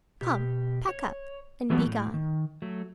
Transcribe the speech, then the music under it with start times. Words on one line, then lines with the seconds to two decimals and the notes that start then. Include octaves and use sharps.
Come! pack up; and begone.
0.21 B2 G4
0.89 C#5
1.70 E3 F#3 G3 A3 B3
1.85 A2
2.14 D#3
2.62 F#3 A3